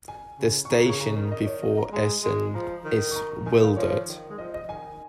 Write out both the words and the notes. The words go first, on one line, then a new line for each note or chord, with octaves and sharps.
The station before Essen is Wildert.
G#5
C#3
C#6
D#3 A#5
A#5
C#3 C#6
C#3 A#5
D#3
D#5
C#5
D#5
A#5
G#3 G#5
G#3
F3 A#5
D#3
C#6
A#5
D#3 G#5
D#3 F5
F3 C#5
D#3
G#3
F3 D#5
D#5
D#3 G#5